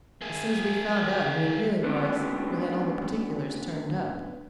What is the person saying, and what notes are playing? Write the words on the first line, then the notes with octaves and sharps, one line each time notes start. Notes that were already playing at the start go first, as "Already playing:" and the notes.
As soon as we found out who he really was, we had all the particulars turned up.
A#3 G#4
A3 B3 C#4 D4